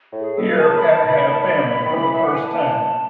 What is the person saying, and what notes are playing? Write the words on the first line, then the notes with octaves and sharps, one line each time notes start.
Here, Pat had a family for the first time.
A2
G#4
B2 A4
B4
G#5
C#3 A5
B5
D#3 A5
B5
A5
B5
D#3
E3
E5
F#5
G#5
A5